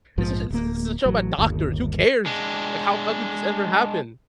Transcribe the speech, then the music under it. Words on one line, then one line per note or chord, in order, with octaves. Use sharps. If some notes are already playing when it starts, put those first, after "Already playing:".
This is this is this is a show about doctors. Who cares? Like, how the hell did this ever happen?"
A#1 G#2 F3
D1 A#3
A1 F#3
G1 D#2
G#3 D4